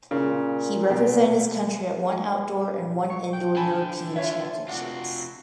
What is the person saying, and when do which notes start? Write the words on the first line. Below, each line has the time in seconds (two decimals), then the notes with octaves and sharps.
He represented his country at one outdoor and one indoor European Championships.
0.11 A#2 C#3
0.90 B2
3.10 C#6
3.34 G5
3.56 D3 G#5 A5 B5
4.16 F4 C#5 E5
4.68 C3 D4 F4 F#4 F#5